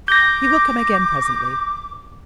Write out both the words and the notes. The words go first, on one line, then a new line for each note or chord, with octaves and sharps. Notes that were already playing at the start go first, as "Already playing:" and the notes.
He will come again presently.
D6 G6 A#6